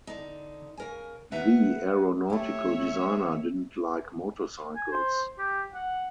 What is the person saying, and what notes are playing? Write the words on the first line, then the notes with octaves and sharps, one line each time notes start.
The aeronautical designer didn't like motorcycles.
D3 D#4
C#3 A#4 G#5
B4 E5 F#5 A#5
A3 G4 C#5 E5
G#5
C5
G4
F#5